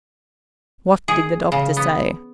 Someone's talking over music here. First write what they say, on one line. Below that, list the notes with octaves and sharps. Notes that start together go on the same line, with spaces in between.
"What did the doctor say?"
G#4
C#3
B3